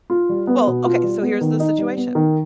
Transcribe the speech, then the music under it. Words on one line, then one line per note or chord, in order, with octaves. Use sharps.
Well, okay, so here's the situation,
F4
G3
B3
B2
F4
G3
B3
D#3
D#4
G3
B3
D#3